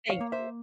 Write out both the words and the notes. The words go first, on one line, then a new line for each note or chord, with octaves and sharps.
Thank you.
C#5 F5
A#3
C5 E5